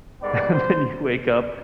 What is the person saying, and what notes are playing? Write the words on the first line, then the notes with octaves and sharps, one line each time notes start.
and then you wake up,
G#2 D#3 G3 B3 D5
C5